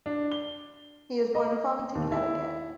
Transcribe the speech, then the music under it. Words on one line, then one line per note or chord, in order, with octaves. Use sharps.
He was born in Farmington, Connecticut.
D4
G7
D#5
D#2
E4